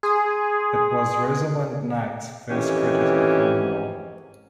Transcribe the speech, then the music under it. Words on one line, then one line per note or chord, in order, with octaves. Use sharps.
It was Rosalind Knight's first credited film role.
G#4 G#5 C6
F2 D#3 E3 C#4 G4